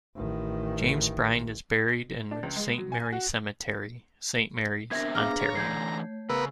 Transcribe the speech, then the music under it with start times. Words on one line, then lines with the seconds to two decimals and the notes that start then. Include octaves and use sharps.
James Brine is buried in Saint Marys Cemetery, Saint Marys, Ontario.
0.17 A1 D#3
2.31 D4
2.43 C#2
2.56 G#3
2.78 F#3
2.92 G#5
3.12 F#4
4.91 B3 C4 D4 A#4 E5 G#6 A#6
5.15 D4 G#4 B4 F5 A#5 D6 F6
5.41 C#5
5.55 D3 E3 A3 D4 C#5 G6 G#6 C7
6.29 C#3 B3 A#4 B4 E6